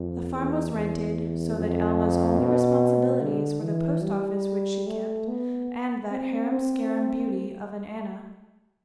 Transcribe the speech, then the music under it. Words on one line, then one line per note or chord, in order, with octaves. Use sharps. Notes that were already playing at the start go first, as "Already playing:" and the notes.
The farm was rented, so that Alma's only responsibilities were the post office which she kept, and that harum-scarum beauty of an Anna.
Already playing: F2
E2
E2
F2
B2
D3
E3
G3
A3
B3
C4
C4